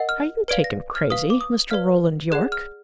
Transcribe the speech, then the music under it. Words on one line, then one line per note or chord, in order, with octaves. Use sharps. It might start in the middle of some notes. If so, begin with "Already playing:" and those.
"Are you taken crazy, Mr. Roland Yorke?"
Already playing: A#4 D#5 F#5
F6
B4 D5 F5 D7
A#6
F6
B4 F5 D#6
D6
D#6
B4 D5 F5 F6
G#4 D5 F#5 F#6
F6